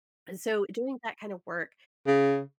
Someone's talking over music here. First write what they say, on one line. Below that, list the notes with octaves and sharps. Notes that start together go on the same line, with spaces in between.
so, doing that kinda work
C#3